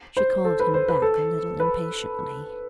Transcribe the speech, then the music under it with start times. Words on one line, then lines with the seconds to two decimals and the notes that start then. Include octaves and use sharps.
She called him back a little impatiently.
0.17 C5
0.45 A4
0.60 B4
0.74 C5
0.88 B4
1.02 A4
1.60 B4